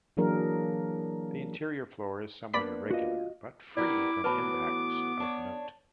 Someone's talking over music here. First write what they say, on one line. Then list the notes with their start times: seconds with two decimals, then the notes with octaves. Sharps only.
The interior floor is somewhat irregular, but free from impacts of note.
0.17 E3 F#3 A#3 D4 G#4 A#4
2.54 A#3 B3 D4 D5 B5 B6
2.91 F4 F#4 D#5
3.77 G3 B3 E4 A#4 D5 D6
4.24 A2 E3 F#3 B3 B4 A5 B5
5.20 D4 C#5